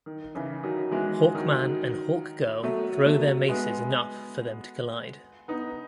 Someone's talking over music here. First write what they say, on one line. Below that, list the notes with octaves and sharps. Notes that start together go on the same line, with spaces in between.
Hawkman and Hawkgirl throw their maces enough for them to collide.
D#3
C#3 E3
D#3 F#3
E3 G#3
D#3 F#3
F#3 A3
F#3 A3
G#3 B3
B3 D#4